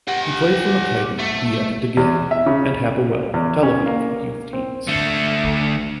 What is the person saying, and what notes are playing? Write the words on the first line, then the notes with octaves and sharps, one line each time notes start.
He played for Maccabi Beit Dagan and Hapoel Tel Aviv youth teams.
G4 F#5
A3
E2
E5
C#3
E2
C#4
A#3
C4
D3 A3